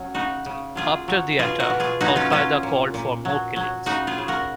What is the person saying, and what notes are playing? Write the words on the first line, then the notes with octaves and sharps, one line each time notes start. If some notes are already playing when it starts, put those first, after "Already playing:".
After the attack, Al-Qaeda called for more killings.
Already playing: F#3 C#4
C#3 D#4 F#4
C#3
F#3 F4 G#4
F#3
B2 F4 G#4
F#4 A#4
B2
F4 G#4
F#3 D#4 F#4
C#4 F4
F#3 C#4 F4
A#2
A#2
F#3
F#3
C#3 D#4 F#4
F4 G#4
C#3
F#4 A#4